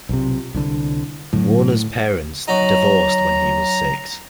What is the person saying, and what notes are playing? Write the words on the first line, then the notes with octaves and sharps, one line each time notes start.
Warner's parents divorced when he was six.
B1 C3 F4
C2 D3 E4
A2 D3 F#3
F#3 D#4 A#5